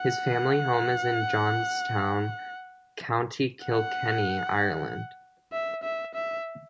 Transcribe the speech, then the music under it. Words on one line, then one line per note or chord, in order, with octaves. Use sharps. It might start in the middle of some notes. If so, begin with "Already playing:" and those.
His family home is in Johnstown, County Kilkenny, Ireland.
Already playing: F#5
F#5
E5
E5
E5